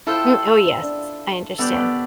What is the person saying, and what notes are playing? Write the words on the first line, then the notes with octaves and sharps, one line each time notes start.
Mm Oh, yes. I understand.
E4 F4 A4 C5 G5
D4
A3 B3 D4 G4 D5
B3